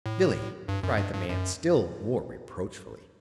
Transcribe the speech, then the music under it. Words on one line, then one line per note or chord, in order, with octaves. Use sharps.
"Billy!" cried the man, still more reproachfully.
A2
G2
F#2
G2
G2
F#2